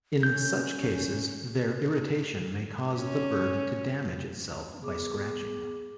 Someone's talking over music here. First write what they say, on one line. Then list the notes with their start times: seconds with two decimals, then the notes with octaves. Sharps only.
In such cases, their irritation may cause the bird to damage itself by scratching.
0.23 C#4 G6
2.95 C#4
4.81 B3 G#4 D6